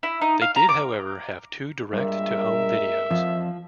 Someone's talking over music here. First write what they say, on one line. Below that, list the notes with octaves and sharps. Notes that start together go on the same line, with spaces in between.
They did however have two direct to home videos.
E4
D#4
F5
A#5
D6
G2 A#2 G#3 A#4 E5
F2 F3